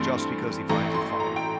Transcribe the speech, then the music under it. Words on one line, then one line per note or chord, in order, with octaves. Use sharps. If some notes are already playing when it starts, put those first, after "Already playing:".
just because he finds it funny.
Already playing: G2 E3 A3 C4 C6
A1 A2 E3 A#5
C6
A#5
G5